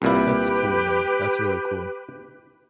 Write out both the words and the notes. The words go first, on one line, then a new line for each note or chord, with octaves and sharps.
That's cool, man. That's really cool.
C2 A#2 E4 G4 B4 B5